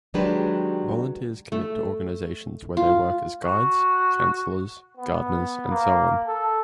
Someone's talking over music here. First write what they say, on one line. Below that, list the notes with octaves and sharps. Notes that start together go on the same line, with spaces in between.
Volunteers commit to organisations where they work as guides, counsellors, gardeners and so on.
D#3 F#3 G#3 D4 G4 B4
A3
F4
F#4
B3
A#3
A4